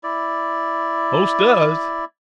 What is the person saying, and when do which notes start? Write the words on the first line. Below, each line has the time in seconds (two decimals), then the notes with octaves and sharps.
"Most does."
0.03 E4 D5